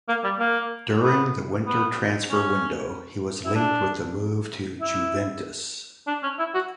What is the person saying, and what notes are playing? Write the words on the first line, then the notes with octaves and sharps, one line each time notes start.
During the winter transfer window, he was linked with a move to Juventus.
A#3
G3
A#3
B3
B3
C#4
E4
D4
E4
D4
C#4
E4
F#4